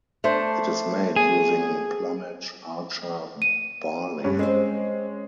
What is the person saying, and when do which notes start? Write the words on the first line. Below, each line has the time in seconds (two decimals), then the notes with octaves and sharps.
It is made using Plumage Archer barley.
0.24 A3 D4 C5
1.16 G#4
3.42 D#7
4.24 G2 C#4
4.39 G#3 C4 C#4 C5